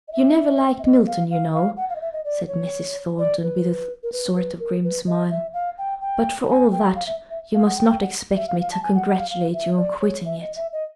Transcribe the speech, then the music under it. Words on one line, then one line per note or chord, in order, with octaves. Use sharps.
You never liked Milton, you know,' said Mrs. Thornton, with a sort of grim smile; 'but for all that, you must not expect me to congratulate you on quitting it.
D#5
E5
E5
D#5
F5
F5
F5
F#5
F5
D#5
E5
D#5
D5
C#5
D5
B4
A#4
B4
B4
A#4
B4
D#5
E5
F5
G5
G5
G#5
G5
F5
E5
E5
F5
F#5
G5
G5
F#5
E5
F5
F5
A5
G#5
F#5
F#5
F5
F5
E5
D5
C#5
E5
D#5
E5
D#5